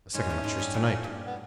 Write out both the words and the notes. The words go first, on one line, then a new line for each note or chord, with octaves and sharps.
The second lecture's to-night.
G#2 G#3 C#4
A2 A3
G#2 G#3
G2 G3
A2 A3
G2 G3
B3